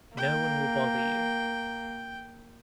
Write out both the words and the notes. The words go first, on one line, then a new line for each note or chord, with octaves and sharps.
No one will bother you.
A#3 G5